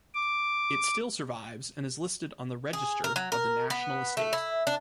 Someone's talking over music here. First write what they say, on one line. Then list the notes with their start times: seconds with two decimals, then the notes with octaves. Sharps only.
It still survives and is listed on the Register of the National Estate.
0.14 D6
2.73 G#4
3.04 A#4
3.16 F#3
3.32 A#4
3.70 B3
4.17 A3
4.33 E4
4.67 D4